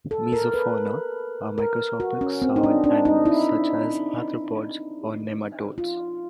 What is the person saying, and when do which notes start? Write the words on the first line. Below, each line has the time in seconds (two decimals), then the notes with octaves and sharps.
"Mesofauna" are macroscopic soil animals such as arthropods or nematodes.
0.11 A4
0.32 A#4
0.54 B4
1.58 A#4
2.00 F#4
2.21 C#4
2.42 C4
2.56 D#4
2.63 D4
2.84 D4
3.05 D#4
3.25 E4
5.78 F4